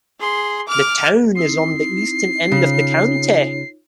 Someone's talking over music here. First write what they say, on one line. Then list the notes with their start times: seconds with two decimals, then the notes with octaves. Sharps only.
The town is on the eastern end of the county.
0.20 G#4 C6
0.68 D6 F6
1.35 C4 D#4 E4 C7
2.52 C#3 D#4 F4 C#5